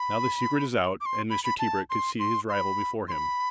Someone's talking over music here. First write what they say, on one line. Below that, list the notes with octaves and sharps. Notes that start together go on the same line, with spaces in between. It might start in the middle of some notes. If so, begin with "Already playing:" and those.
Now the secret was out and Mr. Tebrick could see his rival before him.
Already playing: B5
D6
C6
B5
B5
A5
C6
C6
C6
B5
C6
B5